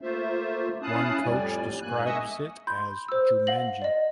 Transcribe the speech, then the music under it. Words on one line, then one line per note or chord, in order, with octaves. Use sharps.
One coach describes it as Jumanji.
A3 A#3 F4 C5 E5
C#4 E4 F5 A5 D#6 F#6
F2 A2 G3 D5 G#5
G#2 A#3 G#5 F#6
D#5 E5 G#5 C#6 D#6 E6
B5 C6 G6
C5 E6
F5 F#5 A#6 F#7
D5 D#5